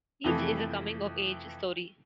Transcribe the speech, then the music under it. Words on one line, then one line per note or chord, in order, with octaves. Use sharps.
Each is a coming of age story.
F2 C3 E3 F3 A3